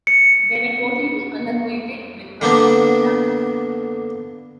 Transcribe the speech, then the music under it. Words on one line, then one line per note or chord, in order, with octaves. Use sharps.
They were totally unacquainted with country dances.
C#7
D3 A#3 B3 D4